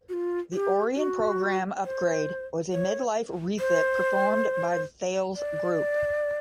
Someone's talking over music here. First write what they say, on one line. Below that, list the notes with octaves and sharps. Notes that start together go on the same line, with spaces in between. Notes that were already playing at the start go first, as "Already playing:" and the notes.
The Orion Program Upgrade was a mid-life refit performed by the Thales Group.
F#4
F4
G4
F#4
C5
C#5
C5
D5